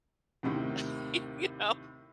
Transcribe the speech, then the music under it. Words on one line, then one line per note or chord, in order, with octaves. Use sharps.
Like, you know,
D#2 A2 C3 D#3